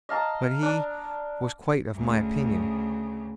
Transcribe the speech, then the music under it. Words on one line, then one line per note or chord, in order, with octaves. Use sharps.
But he was quite of my opinion.
D#5 F5 A5 A#5
D4
D2 C#3